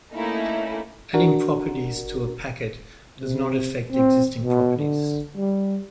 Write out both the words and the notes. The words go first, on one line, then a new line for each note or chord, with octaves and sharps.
Adding properties to a packet does not affect existing properties.
A3 A#3 C#4 D#4 E4
D4 F#4 A#4
C3
C4
B2
D3
G3